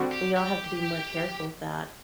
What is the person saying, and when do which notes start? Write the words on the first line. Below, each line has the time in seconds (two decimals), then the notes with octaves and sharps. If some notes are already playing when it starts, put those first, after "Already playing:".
We all have to be more careful of that.
Already playing: D3 G3 C4 F#4
0.12 G4
0.37 G4